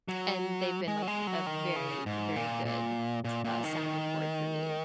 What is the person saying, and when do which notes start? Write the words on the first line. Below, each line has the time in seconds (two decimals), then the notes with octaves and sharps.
and they've been, like, a very, very good s uh sounding board for me,
0.08 F#3
0.88 G#3
1.02 F#3
1.07 G#3
1.27 F#3
1.47 D#3
1.76 C#3
2.06 G#2
2.36 A#2
2.65 A#2
3.25 A#2
3.44 A#2
3.64 D#3